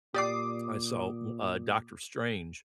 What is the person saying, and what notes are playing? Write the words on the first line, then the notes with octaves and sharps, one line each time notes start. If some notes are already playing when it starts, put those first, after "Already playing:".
I saw, wh uh, Doctor Strange
A#2 G4 D5 D6 D#6 C7